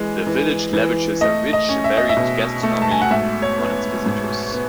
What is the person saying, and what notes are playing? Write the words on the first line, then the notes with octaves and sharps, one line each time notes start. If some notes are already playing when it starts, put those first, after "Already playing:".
The village lavishes a rich, varied gastronomy on its visitors.
Already playing: E3 G#3
E3
E3
A3 D#5
D#5
C#4
E5
D#5
E5
B2
A3
A5
G#5
F#5
G#2 E5
C#5
B3
G#2
B3